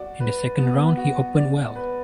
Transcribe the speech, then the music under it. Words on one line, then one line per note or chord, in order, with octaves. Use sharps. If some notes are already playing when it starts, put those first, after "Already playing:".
In the second round he opened well.
Already playing: F#4 D5
B4
B3
F#4
D5
B4